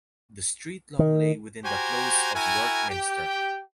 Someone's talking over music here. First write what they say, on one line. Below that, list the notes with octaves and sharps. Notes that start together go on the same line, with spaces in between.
The street long lay within the close of York Minster.
D#3
F#4 G4 C5 G5 G#5 A#5
E4 F#4 A#4 G5 G#5
G4 G5